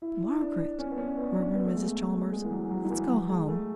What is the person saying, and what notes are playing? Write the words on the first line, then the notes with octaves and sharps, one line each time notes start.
"Margaret," murmured Mrs. Chalmers, "let's go home."
E4
D4
C#4
B3
C#4
B3
D4
B3
A3
G#3
A3
G#3
E3
F#3
F#3
F#3
E3
F#3
G#3
A3